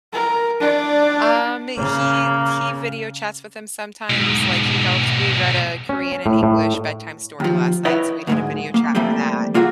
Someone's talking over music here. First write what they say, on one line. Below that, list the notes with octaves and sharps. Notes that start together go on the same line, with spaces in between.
Um, he he video chats with him sometimes, like, he helps We read a Korean and English bedtime story last night, so we did a video chat for that.
A#4
D4 D5
C#3 A#3
G#2 B2
C#4
A2
A2
D#2 F3
E4 B4 C#5 D#5
D2 G#2 G#3
A#3
E3 G3 A3 A#3 C4
A#3 F4 F#4 G#4